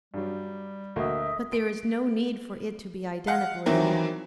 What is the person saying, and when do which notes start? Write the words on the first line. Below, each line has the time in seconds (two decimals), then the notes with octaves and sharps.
But there is no need for it to be identical in all.
0.14 G2 F#3 G3
0.96 D2 A#3 F#4 D#5 E5 D#6
1.53 D7
3.27 F5 F#5
3.66 D#3 E3 F#3 C4 E4 A#4